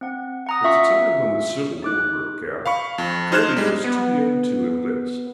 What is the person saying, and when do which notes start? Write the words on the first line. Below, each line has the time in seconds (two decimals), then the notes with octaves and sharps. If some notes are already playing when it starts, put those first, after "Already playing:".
At the time when the Civil War broke out Cody was too young to enlist.
0.01 C4 F#5
0.46 F#5 A#5 D#6
0.63 C#4 F4 E5 C#6 B6
1.83 D#4 D6 F#6
2.66 F5 B5 C#6
2.98 F2
3.32 D#4 C5 F6 F#6 G#6 E7
3.57 G3 G#3
3.84 B3